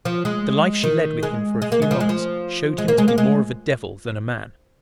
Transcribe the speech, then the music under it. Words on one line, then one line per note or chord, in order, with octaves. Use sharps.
The life she led with him for a few months showed him to be more of a devil than a man.
F3
G#3
D#3
G#3
G#3
A#3
G#3
F3
G#3
F3
G#3
A#3
G#3
A#3
G#3